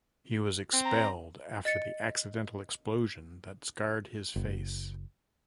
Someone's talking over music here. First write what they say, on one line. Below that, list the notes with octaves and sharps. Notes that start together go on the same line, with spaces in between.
He was expelled after the accidental explosion that scarred his face.
C4
A#5
D#5 A6 C#7
F#1